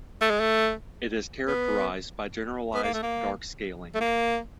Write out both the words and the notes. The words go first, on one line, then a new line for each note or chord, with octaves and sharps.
It is characterized by generalized dark scaling.
A3
G#3
A3
B3
B3
A#3
A3
A#3
A3
A#3